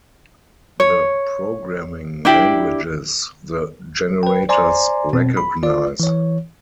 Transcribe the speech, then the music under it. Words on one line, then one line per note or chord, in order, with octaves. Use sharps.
The programming languages the generators recognize.
C#5
D4 E4 G4
B4 G5
C5 D5 G#5 A#5 C6
B2 C4
B5
F4 D5
E3 C#5